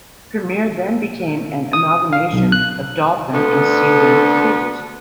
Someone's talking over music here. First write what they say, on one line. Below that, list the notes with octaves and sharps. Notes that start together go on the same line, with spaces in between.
Premier then became an amalgamation of Dolphin and Seawind Cruises.
D#6
F5
B1
F#6
D2 D3 B3 A4